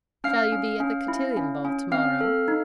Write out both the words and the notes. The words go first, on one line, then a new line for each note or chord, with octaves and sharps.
"Shall you be at the cotillion ball tomorrow?"
C#4 F5 F6
C#4
C#4
E4
C#4
C#4
C4 F5 F6
A4
D#4